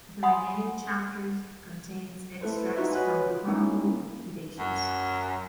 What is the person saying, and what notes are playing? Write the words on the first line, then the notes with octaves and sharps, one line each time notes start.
The remaining chapters contains extracts from the Chronicle of Hydatius.
F#5 G#5 B5 C6 D#6
A3 E4 A4 B4 C5
D#4 F4 F#4 B4 E5
F#4 B4 C#5 D#5 F#5 G#5
F4
G#3 A#3 C#4 D#4 E4
F#2